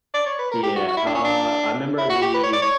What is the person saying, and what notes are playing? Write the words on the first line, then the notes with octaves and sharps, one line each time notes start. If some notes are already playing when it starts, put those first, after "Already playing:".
Yeah, uh, I 'member the,
D5
C#5
B4
A#4
G4
F#4
F#4
E4
D4
C#4
D4
E4
F#4
G4
B4
C#5
D5
C#5